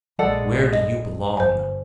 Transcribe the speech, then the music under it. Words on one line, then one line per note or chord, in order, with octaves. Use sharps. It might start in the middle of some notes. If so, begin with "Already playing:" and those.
Where do you belong?
A#1 G#3 A4 D5 F#5
D#5
G1 C5 G#5